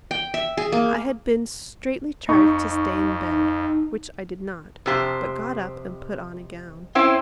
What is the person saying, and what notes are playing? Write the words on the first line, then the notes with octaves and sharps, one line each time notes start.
I had been straitly charged to stay in bed, which I did not, but got up and put on a gown.
G5
E5
G#4
A#3
F2 D#4 C#6
F2 C3 G4 C5
C4 C#4 E4 C5 G5